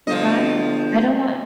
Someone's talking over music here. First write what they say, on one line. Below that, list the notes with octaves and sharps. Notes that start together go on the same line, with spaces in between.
Right. I don't want
G1 B2 F3 D#5